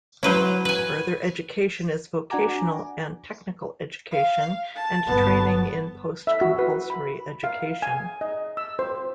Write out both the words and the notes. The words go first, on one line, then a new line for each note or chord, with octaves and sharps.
Further education is vocational and technical education and training in post-compulsory education.
F#3 C#4 E4 B4 C5
B4 G#5
D4 F#4 F#5 G#5 A#5 D6
F5
A5
G1 B3
E5
F#4
B4
B5
F5
G#5
D#5
E6
C5